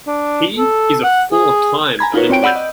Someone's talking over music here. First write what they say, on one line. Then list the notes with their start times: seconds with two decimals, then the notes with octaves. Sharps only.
He is a four-time Olympian.
0.07 D4
0.58 A4
1.04 F#5
1.32 G#4
1.99 G#5 A#5 B5 G#6
2.14 D#4 F4 F#4 A#4 B4 C#5
2.30 C4 C#5 G5 D7
2.43 D5 F#5 B5 E6 G6
2.56 D#5